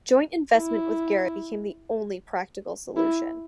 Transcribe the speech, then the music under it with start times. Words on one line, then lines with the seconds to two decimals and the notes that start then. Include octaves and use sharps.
Joint investment with Garrett became the only practical solution.
0.57 E4
2.97 E4